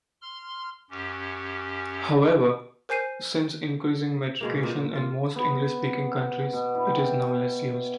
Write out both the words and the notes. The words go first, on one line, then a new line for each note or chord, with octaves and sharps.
However, since increasing metrication in most English-speaking countries, it is now less used.
C6 F6
F#2 C#4 G4
A#4 C5 G#5 G6 C7 D#7
B2 G#3 A#3
A#2
F4
B3
B2
E4
G5